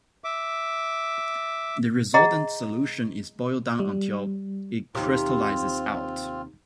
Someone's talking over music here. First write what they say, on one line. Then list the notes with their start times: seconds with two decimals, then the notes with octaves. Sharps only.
The resultant solution is boiled down until it crystallizes out.
0.24 E5 D6
2.14 G#4 D#5 F#5 A#5
3.80 G3
4.95 D#2 C3 C4 F4